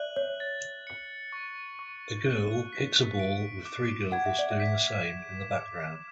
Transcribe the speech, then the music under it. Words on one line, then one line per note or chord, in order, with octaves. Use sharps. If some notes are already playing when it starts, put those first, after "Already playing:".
A girl kicks a ball with three girls doing the same in the background.
Already playing: D5 E5 F#6 F#7
C#5
A6
C#7
C#6
C#6
F#6
B6
D7
D6
F#5 G#6
E5
D5
E5
B6
E7
D6